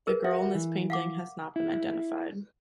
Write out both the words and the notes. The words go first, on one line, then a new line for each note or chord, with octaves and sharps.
The girl in this painting has not been identified.
G#4 A#4 B4
F#4 E5
E3
F5 F#5 D6
E4